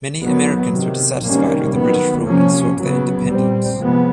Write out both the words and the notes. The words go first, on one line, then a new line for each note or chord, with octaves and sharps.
Many Americans were dissatisfied with British rule and sought their independence.
D#3 F#3 B3
C3 D#3 F#3
C3 D#3 G3 A#3 C#4
D#3 F#3 B3
C3 F3 A#3 C#4
C#3 F#3 B3
A#2 G3 C4
C3 F3 G#3 B3